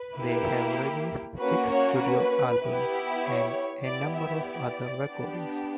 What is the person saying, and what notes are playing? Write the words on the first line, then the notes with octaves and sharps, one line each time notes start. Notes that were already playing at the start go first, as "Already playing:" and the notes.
They have released six studio albums and a number of other recordings.
Already playing: B4
A#3 E4 G4
A#3 C#4 F#4 B4
C#5
B4
B3 E4 G4
C#5
B3 E4 G4 D5
E5
D5
B3 D4 G4